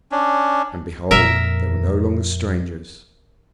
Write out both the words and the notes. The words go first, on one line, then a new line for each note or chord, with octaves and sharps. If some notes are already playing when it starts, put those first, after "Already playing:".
And behold, they were no longer strangers.
C#4 D4
F2 A#2 A#4 E5